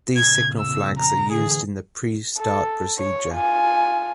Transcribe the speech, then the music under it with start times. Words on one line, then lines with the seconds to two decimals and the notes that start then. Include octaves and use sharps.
These signal flags are used in the pre-start procedure.
0.17 F2 A#2 C#3 G#6
0.59 E6
0.98 A#5
1.31 A2 D3 E3 G#4
2.38 A4
2.98 C#5
3.31 F4 G#5